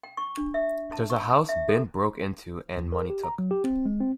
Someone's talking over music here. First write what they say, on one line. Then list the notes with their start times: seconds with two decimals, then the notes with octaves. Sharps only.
There's a house been broke into and money took.
0.03 G5
0.17 C#6
0.37 D4
0.54 E5
0.92 A5
1.10 C#6
1.30 A5
1.49 E5
1.69 A4
2.77 E2
2.92 A#4
3.10 G4
3.23 A#5
3.39 F#3
3.51 G4
3.64 C4
3.86 G#3
4.00 C4